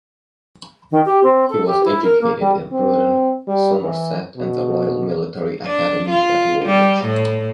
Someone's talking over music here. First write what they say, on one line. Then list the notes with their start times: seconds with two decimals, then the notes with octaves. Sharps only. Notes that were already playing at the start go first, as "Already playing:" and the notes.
He was educated in Bruton, Somerset and the Royal Military Academy at Woolwich.
0.91 D#3
1.05 G4
1.23 C4
1.50 A4
1.67 G4
1.85 E4
2.04 A#4
2.21 A#3
2.40 G3
2.72 C4
3.48 G3
3.82 E3
4.37 B2
5.66 D4
6.10 F4
6.65 G3
7.05 A2